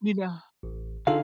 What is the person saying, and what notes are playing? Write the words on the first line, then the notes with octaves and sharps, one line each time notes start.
You know
A1
D3 D#4 F4 G#4 A4 F5